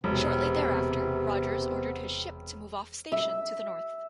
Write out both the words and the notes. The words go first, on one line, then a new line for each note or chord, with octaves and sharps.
Shortly thereafter Rogers ordered his ship to move off station to the north.
E1 C3 B3 C4
E5